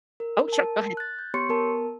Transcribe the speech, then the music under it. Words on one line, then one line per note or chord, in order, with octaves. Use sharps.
Oh sure, go ahead.
A#4
A#4 A5
F#6 A6
G6
B3 G4 C#5 C6 C#6 C#7
B3 A#4 A5